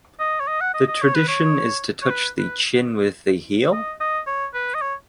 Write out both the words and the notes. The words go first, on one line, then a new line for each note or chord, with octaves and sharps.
The tradition is to touch the chin with the heel?
D#5
C#5
D#5
F#5
D#5
D#5
C#5
B4
C#5
C#5
B4
B4
D#5
D#5
C#5
B4
D#5
C#5